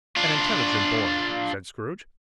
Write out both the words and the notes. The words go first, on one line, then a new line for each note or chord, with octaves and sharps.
'An intelligent boy!' said Scrooge.
D4 F4